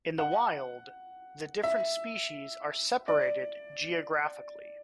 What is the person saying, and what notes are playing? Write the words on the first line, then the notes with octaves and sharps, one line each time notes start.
In the wild, the different species are separated geographically.
F#5
E5
D5